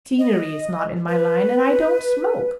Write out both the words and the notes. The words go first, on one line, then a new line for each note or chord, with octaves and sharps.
Scenery is not in my line, and I don't smoke.
D#5
B4